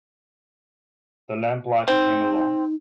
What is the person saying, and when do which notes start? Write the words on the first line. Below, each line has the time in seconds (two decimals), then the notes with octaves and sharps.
The lamplighter came along.
1.88 C4 D#4